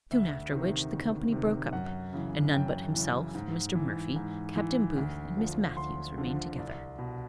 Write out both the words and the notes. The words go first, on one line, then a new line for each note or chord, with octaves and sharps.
Soon after which, the company broke up, and none but himself, Mr. Murphy, Captain Booth, and Miss Matthews, remained together.
D2 E5
C3 D#3
D2
C3 D#3
F#2 F#5
C#3 E3
F#2 G5
C#3 E3
G#2
E3
G#2
E3
D2
D3 F3
D2 C6
D3 F3
C2
B2